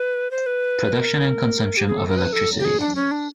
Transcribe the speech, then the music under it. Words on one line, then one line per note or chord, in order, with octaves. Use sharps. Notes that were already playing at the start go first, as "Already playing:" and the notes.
Production and Consumption of electricity.
Already playing: B4
C5
B4
A#4
G4
G#4
A4
A#4
B4
A4
G4
G#4
D4
C#4
D4